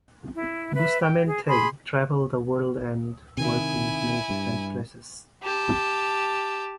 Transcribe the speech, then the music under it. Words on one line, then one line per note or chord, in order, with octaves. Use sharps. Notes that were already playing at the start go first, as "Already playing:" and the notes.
Bustamente travelled the world and worked in many different places.
E4
B4 E5
G5
G#4
G#4 B5 C6
C3 D#3 E4 G#5
G2
G4 A5